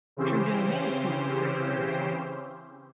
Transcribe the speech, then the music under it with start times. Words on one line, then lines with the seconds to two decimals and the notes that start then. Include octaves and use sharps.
Trudeau may have coined the phrase on the spot.
0.17 C#3 E3 C4 C#4 G4 C5